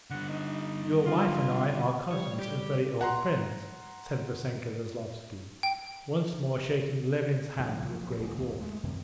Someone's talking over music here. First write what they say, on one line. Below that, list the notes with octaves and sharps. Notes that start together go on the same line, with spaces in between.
"Your wife and I are cousins and very old friends," said Vassenka Veslovsky, once more shaking Levin's hand with great warmth.
D3 G3 F#5
D#4
F4
G3 C#5
G4
F#5 A#5 C6
G5
D3 F3 G3 A#3
C2 A#2 F3 F#3
D1 D#2 G#3
D#2 A#2
G#3 A3
F#2 C3 D#3